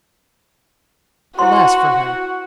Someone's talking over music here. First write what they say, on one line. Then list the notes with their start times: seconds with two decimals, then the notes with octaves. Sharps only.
Alas for her!
1.39 E4 F#4 C5 F#5 C6